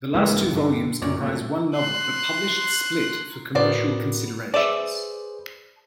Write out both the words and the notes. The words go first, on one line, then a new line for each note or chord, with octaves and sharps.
The last two volumes comprise one novel, but published split for commercial considerations.
C#2 G#2 E3 G#3 A#3 B3
G2 D3
F#2 A#2 C#5 D5
A#2 F#3 A3
C6 F#6
A2 B3 F#4 A#4 C5 D5
G#4 B4 C5 D5 E5